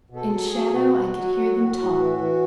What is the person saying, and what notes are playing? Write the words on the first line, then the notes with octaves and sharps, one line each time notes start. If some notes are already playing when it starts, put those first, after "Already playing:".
In shadow, I could hear them talk.
B2
A4
F#3
G#4
F#3
B2 F#4
B2
F#3
F#3
A2
A2
E3
E3